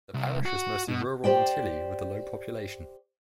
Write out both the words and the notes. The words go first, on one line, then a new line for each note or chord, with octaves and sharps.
The parish is mostly rural and hilly with a low population.
C2
F#4
B2
G4 C5 D5 G5